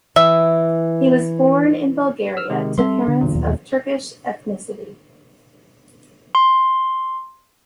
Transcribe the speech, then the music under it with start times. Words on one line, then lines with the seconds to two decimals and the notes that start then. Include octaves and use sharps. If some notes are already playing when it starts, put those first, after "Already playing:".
He was born in Bulgaria to parents of Turkish ethnicity.
0.16 E3 E5
2.37 E6 F6
2.50 C3 D#3 G#3
2.78 G3 C4 A4 E5 C6
3.07 D3 D4
3.21 B1 E2 A#2
3.35 D#2
6.35 C6